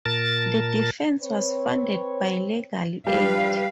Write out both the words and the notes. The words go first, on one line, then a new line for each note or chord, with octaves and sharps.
The defence was funded by legal aid.
A#2 A#4 A5 A6
C4 B4 C#5
E3 F3 G3 D4 B4 F5